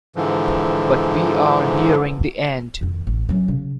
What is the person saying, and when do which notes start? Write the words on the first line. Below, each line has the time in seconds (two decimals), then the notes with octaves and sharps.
But we are nearing the end.
0.16 G#2 D3 E3 F3
2.81 F2 D#3
3.07 A1
3.29 F#3 C#4
3.48 C#3